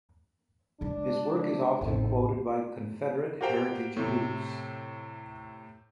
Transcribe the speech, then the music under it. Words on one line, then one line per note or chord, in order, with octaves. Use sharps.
His work is often quoted by Confederate heritage groups.
C#3 G#3 D4
A1 F2 C4 D#4 A4
F#4 G4 A#4 C5 F5 G5
A2 C3